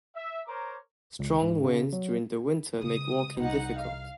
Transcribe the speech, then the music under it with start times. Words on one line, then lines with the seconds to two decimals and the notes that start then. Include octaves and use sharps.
Strong winds during the winter make walking difficult.
0.16 E5
0.47 A#4 C5 C#5 A#5 D6
1.19 C#2
1.42 G#2
1.64 C#3
1.93 F#3
2.81 C#3 G#3 D#6
3.37 C2 D#4 F#5
3.78 F5